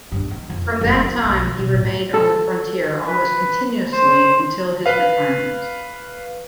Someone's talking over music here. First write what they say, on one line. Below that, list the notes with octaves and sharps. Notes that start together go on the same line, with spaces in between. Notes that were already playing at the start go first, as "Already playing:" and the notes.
From that time he remained on the frontier almost continuously until his retirement.
G2
D#3
F2
F#1
E4
B1
F3
B2
A2
A4
B4
C5
B4 F5